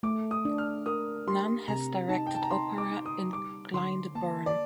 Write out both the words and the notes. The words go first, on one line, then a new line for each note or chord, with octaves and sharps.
Nunn has directed opera at Glyndebourne.
A3 D6
D#6
D4
F6
A#4 D#6
G4 C6
C3 A#5
D#4 A5
G5
A5
A#5
D#4 C6
D6
D#4
D#6
G3 D6
D3 C6
A#3 A5
D5